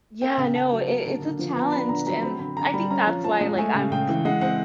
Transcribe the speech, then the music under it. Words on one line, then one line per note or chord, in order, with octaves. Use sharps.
Yeah, no, i i it's a challenged, and I think that's why, like, I'm
A#3 G5
C#3
C#3 A5
F#3
A#3
D3
D3
F3
B3 A#5
D4 B5
D3 A#5
F#3 A#5
C4 B5
D3 B5
D3 A#5
G3 B5
C#4 A#5
F3
F3 A5
G#3
A3 G#5
C#3
C#3 G5
E3
G#3 F#5
C4 F#5